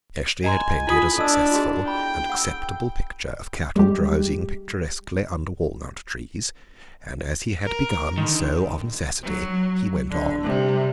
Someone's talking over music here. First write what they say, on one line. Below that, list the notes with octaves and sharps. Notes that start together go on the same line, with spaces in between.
Eshley had painted a successful and acceptable picture of cattle drowsing picturesquely under walnut trees, and as he had begun, so, of necessity, he went on.
D#5 G#5 A#5 C6
E4 F4 G#5 B5 D#6
D4 A4 D#5 E6
E4 F#4 G#4
G5 B5
F#5 E6
G3 G#3 G4
A#4
D3 D#3
F#3
D3
C3 G3